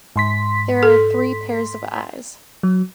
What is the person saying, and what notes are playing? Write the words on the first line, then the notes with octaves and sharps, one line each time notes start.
There are three pairs of eyes.
G#2 C6 B6
A4
F#3